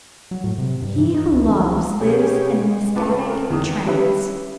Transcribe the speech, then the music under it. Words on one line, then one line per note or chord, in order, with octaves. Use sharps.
He who loves lives in an ecstatic trance.
F#3
A2
C3
G2
E3
D#4
C#2
E3
G#3
B2 C#4 G4 G#4
C#2 B4 A5 D6
A#4
E2 D#3 D#6
G3 C#4 G4 B4 C#5 E5